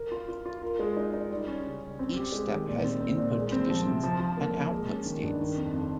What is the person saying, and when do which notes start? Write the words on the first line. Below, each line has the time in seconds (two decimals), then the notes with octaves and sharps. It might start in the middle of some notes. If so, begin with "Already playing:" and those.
Each step has "input conditions" and "output states".
Already playing: A#4
0.12 F4
0.29 F4
0.46 F4
0.62 A#4
0.79 G#3
0.97 D#4
1.14 D#4
1.30 G3
1.47 C#4
1.65 C#3
1.82 G3
1.99 C4
2.16 G4
2.32 G#3
2.50 D#3
2.68 A#2
2.84 C4
3.01 C4
3.18 A#2
3.35 G#3
3.52 C4
3.70 F3
3.86 C3
4.03 F3
4.20 F3
4.37 A#3
4.55 A#3
4.72 G#3
4.88 C#4
5.06 D#3
5.22 G2
5.40 D#3
5.57 F2
5.73 F2